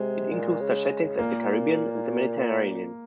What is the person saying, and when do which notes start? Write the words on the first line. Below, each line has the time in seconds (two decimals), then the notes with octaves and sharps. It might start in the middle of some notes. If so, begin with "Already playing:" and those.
It includes such settings as the Caribbean and the Mediterranean.
Already playing: C3 G#3
0.31 A#2
0.60 C#3
0.89 C#3
1.18 A#2 A#3